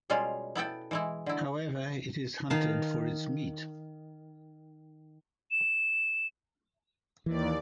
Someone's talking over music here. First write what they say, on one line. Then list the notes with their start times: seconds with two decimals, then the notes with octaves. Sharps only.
However, it is hunted for its meat.
0.10 B2 G3 G#3 C#4 F4
0.55 B3 E4 A4 G5
0.91 E3 G#3 E4
1.26 D3 E4
2.50 D#3 F5 A5
5.51 E7
7.26 D#2 E3 D5